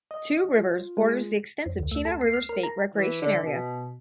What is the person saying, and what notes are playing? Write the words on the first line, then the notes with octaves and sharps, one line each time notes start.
Two Rivers borders the extensive Chena River State Recreation Area.
D#5
F4
G#3
F2
D2
A3
A4
C7
F6
A#4
A#5
E3
D3
B2